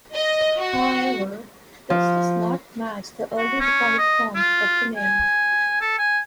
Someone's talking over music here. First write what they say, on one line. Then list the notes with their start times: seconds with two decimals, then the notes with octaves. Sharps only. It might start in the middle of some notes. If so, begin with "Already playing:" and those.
However, this does not match the early recorded forms of the name.
0.14 D#5
0.58 F#4
1.90 F3
3.38 F#4
3.60 C#4
3.98 D#5
4.35 F4
4.97 G#5
5.81 A4
5.99 G#5